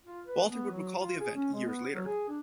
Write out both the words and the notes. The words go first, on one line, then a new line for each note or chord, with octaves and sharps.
Walter would recall the event years later.
F4
B4
B3
F#3
F4
G#4
C#4
G#3
B3
F#3
G#4
D4